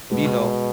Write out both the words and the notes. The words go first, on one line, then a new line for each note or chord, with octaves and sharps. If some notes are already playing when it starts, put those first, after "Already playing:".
you know,
B2 G#3